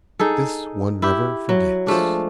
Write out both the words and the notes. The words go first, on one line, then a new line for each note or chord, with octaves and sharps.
"This one never forgets!"
D#4 G#4 A4
E4 G4
F#3
F3 G#3 A3 D4